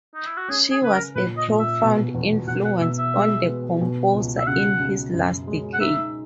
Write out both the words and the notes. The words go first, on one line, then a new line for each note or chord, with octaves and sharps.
She was a profound influence on the composer in his last decade.
D#4
E4
F#4
C#4 G#4
G#4
C#3 B4
A#4
A#2 B4
D#5
A#2
E5
B2
E2
B2 F#5
F#5
B2 E5
E5
G#3
B3
B2
C#2
E5
C#3 F#5
C#3
F#2
G#3
F#5
D#4 E5